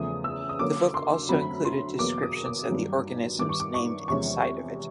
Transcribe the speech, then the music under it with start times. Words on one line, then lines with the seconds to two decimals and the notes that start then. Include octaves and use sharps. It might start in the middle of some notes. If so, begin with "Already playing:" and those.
The book also included descriptions of the organisms named inside of it.
Already playing: E2 C#3 F3 A3 D#6
0.24 E6
0.49 D#6
0.59 D3 F#3 A#3 C#4 D6
0.94 C6
1.29 F#2 D3 F#3 A3 C4 B5
1.65 C6
1.99 E2 B2 F#3 A#3 D6
2.23 D#6
2.46 D6
2.70 G2 D#3 F#3
3.39 G2 D#3 G3 D6
3.49 C#6
3.60 D6
3.74 C#6
4.08 E2 C3 F3 G#3 C#4 C#6